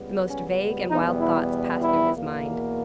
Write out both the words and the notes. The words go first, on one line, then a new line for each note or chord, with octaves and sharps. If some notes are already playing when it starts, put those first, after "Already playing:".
The most vague and wild thoughts passed through his mind.
Already playing: C#2 C#3 G3 B3
C#4
E2 B2 G3 B3 D#4
E4
E4
E2 B2 A#3